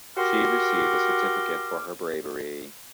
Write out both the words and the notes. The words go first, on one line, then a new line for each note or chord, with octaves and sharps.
She received a certificate for her bravery.
F#4 G4 A#4 C6 D6 F6